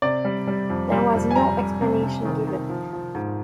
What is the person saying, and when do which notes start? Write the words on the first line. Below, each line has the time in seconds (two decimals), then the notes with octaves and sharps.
There was no explanation given.
0.02 C3 D5
0.25 G3
0.47 G3
0.70 F2
0.92 G3
1.13 F2
1.31 G#5
1.35 G3 A#5
1.58 G3
1.81 C3
2.03 C3
2.25 D#3
2.47 D#3
2.69 F3
2.93 F3
3.15 G#2